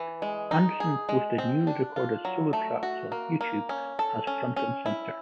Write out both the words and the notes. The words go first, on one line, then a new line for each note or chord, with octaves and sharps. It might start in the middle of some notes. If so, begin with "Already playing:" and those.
Anderson posted newly recorded solo tracks on YouTube as Front and Centre.
Already playing: E3
G#3
D#4
G#4
G#3
C4
D4
F4
F#3
A3
F#4
A#3
A#3
C#4
A4
C#4
C#4
E4